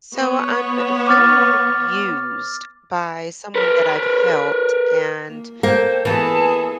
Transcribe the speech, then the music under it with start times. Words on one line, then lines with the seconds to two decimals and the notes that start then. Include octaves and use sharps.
So, I'm feeling used by someone that I've helped, and
0.14 B3 C#5
1.07 D6 F6 A6
3.56 A#4 B4
5.29 A#3
5.63 A#3 A4 C5 G5
6.05 E3 B3 G#4 A4 A5